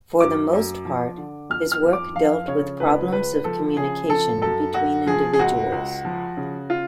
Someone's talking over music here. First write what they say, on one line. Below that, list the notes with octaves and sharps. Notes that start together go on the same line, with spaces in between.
For the most part, his work dealt with problems of communication between individuals.
F#2 D6
F#2
F3
D3
F2 F6
F6
F2
D6
F3 F5
C#3 C#5
C#2 B4
C#2 B4
F3 A4
C#3 G#4
F3 A4
F#2 A4
F#2 F#4
F3 G#4
G#4
C#2 F#4
C#2
F3
C#3
F4